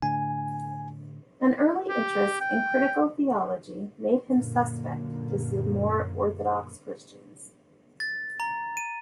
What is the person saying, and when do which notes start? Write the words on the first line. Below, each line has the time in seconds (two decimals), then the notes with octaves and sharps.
An early interest in critical theology made him suspect to some more 'orthodox' Christians.
0.02 A2 D3 G#5
1.89 G4
2.41 G5
4.32 F#2 A#2 D3 A#3
8.00 A6
8.40 A#5
8.77 D#7